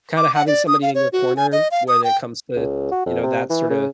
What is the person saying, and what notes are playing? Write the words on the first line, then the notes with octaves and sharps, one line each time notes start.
Kinda having somebody in your corner when it comes to, you know, that sorta
D6
F#5
D5
D#6
F5
C#5
F#4
G#5
D#5
F5
D#6
G5
C#2
F#4
F2
C3
E3
C#3